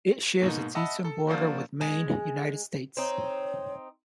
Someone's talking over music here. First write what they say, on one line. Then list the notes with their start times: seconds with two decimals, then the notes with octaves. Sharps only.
It shares its eastern border with Maine, United States.
0.42 G#2 B2 A#3 D#4
0.75 D#5 E5 F#5 A5 B5 E6
1.04 A4
1.27 F3 A#3 D4 F#4
1.81 G#3
2.97 C4 D#4 C#5